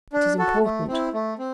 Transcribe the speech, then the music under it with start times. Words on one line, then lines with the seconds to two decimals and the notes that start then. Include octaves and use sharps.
It is important.
0.13 D4
0.38 F#4 A4
0.64 A3
0.88 C4 E4
1.14 A3
1.39 C4